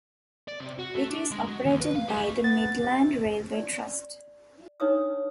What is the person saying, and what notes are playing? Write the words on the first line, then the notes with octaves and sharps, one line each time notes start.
It is operated by the Midland Railway Trust.
D5
C3
F#4
A3
D4
G#3
F#3
D#2
B4
F5
G3
A3
B3 A6
C3
D5
D4 D#4 B4 C#5 D#6 E6